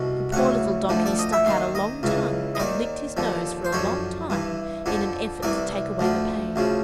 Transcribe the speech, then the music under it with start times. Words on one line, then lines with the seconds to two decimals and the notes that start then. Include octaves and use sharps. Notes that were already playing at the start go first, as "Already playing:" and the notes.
The poor little Donkey stuck out a long tongue and licked his nose for a long time in an effort to take away the pain.
Already playing: C2 B2
0.32 D2 C#3 E3 F#5
0.89 D2 D3 F3
1.06 D5
1.19 D#5
1.33 E5
1.46 D#2 D#3 F5
1.75 D#5
2.03 C#2 C#3 E3
2.55 D#5
2.60 D#2 D#3 D5
3.17 D#2 D3 F3
3.65 C5
3.73 F#2 D3 F3 C#5
4.30 G2 E3
4.86 F2 D3 F3
5.43 C2 C3 E3 D5
5.99 D2 D3 F3
6.56 D2 C#3 F3